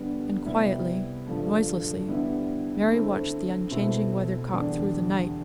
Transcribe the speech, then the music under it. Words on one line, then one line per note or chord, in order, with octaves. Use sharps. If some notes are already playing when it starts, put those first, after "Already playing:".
And quietly, noiselessly, Mary watched the unchanging weather-cock through the night.
Already playing: D3 G3 B3
C3 G3 B3 E4
G2 D3 F3 A3
D3 G3 B3 E4
D3 A3 C4 E4
B2 A3 C4 E4
E2 D3 G3 D4